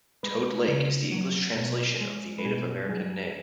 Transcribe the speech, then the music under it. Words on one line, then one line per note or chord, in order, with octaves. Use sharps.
Toad Lake is the English translation of the Native American name.
G#3 B4
C#3
F#3
B2
G#3
B4
B2 G#4
F#3 G#4